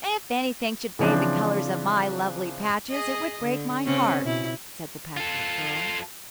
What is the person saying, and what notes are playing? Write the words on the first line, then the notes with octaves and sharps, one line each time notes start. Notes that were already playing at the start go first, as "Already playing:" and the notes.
"If anything should fade the colors of my lovely patches it would break my heart," said the Patchwork Girl.
C#3 E3 F3 C4 D4
G#4 D#5
D3
C#3 C4 C#4
B2 E4
F4 A4